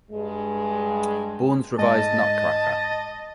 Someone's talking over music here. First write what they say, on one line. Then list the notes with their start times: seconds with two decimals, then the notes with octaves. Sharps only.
Bourne's revised Nutcracker!
0.11 G2 G#3
1.78 G#2 D#5 A5